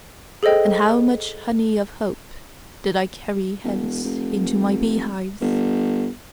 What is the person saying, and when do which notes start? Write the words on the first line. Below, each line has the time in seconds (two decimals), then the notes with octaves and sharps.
And how much honey of hope did I carry hence into my beehives!
0.43 G#4 A4 C5 D#5 G5
3.64 E1
4.04 F1
5.41 G1